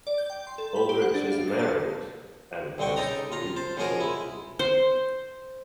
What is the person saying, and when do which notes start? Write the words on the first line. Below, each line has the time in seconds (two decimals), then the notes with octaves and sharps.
Aldrich is married and has three children.
0.07 D5
0.18 G6
0.30 G5
0.47 C6
0.58 A4
0.76 B5
0.89 G4
1.02 F#5
1.14 D4
1.32 F5
1.48 A6
1.59 A5
2.78 C2 D3 C4 G5 C#6
2.96 C#3 D#4 A4 A#5 D#6
3.32 F4 A#5
3.56 C5 A5
3.77 C#3 F3 G#3 F#4 G#4 A#4
4.01 G#3 E4
4.59 C5